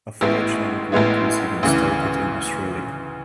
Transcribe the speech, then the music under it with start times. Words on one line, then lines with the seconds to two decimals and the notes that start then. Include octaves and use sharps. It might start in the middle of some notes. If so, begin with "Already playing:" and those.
A fledgling group was even started in Australia.
0.21 A1 A2 G#3 B3 E4
0.92 A1 A2 G#3 B3 E4
1.63 D2 C#3 E3